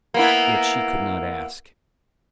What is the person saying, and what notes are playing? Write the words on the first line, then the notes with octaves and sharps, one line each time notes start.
Yet she could not ask.
A#3 B3 E4